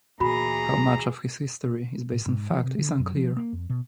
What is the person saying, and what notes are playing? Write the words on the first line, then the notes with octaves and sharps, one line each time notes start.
How much of his story is based on fact is unclear.
D2 A#2 E3 F#4 G#4 A#5 B5
A2
G#2
F3
C3
D3
F#2
F3
A#3
F2
B2